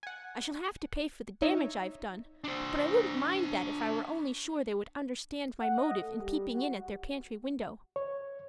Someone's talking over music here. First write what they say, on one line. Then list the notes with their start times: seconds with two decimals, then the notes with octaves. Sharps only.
I shall have to pay for the damage I've done, but I wouldn't mind that if I were only sure they would understand my motive in peeping in at their pantry window.
0.03 F#5 G#5
1.42 D#4 C#5 E5
2.44 D4 C5
5.60 F#5
5.78 D#5
6.02 A3
6.21 G3
6.54 F#4
7.96 C#5